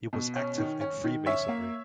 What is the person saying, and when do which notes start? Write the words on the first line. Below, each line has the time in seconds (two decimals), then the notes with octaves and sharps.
He was active in freemasonry.
0.13 B2
0.35 C#4
0.58 D#3
0.81 C#4
1.04 D#3
1.26 C#4 C#5 E5
1.48 A#3